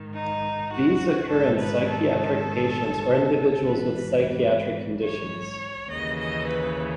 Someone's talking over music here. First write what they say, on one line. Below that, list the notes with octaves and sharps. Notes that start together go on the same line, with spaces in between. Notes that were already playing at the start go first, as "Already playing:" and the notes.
These occur in psychiatric patients or individuals with psychiatric conditions.
Already playing: G#2 D#3
D#4
F#4
G#2 D#3 A4
B4
A4
G#2 E3 B4
C#5
D#2 C#3 E3 D#5
D#5
B4